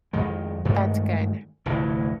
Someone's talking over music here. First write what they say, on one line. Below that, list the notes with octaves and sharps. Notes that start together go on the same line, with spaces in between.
That's good.
F2 D#3 G#3
G2 D#3 G#3 A3
F1 D2 A2 E3